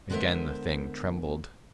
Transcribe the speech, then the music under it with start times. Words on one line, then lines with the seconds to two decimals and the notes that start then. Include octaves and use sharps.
Again the Thing trembled.
0.10 D3 G#3 B3 A#4 C5 E5